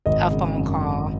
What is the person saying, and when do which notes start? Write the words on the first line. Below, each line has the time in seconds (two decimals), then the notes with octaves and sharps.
A phone call.
0.06 G#1 D#5
0.31 C#3
0.57 F#2